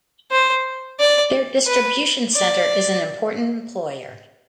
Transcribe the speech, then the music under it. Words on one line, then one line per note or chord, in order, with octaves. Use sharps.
Their distribution centre is an important employer.
C5
D5
B4
D5